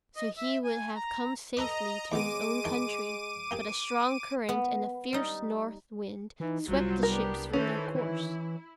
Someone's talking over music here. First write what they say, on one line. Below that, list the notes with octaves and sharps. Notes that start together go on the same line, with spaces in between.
So he would have come safely to his own country, but a strong current and a fierce north wind swept the ships from their course.
D#5
E5
G#5
A#5
A4 B4 D#5 A#5 D6
D#2 D#3 G#3 B3 D6 D#7
D#3 C#5 A5
A#3 G4 G#4
B3
G3 D#4
E3 D#4
C2 F#3 G3 F4 C5
B3 D4 G4 A#4
D#3 E3 C#4 A4 B4 C5
E3 E4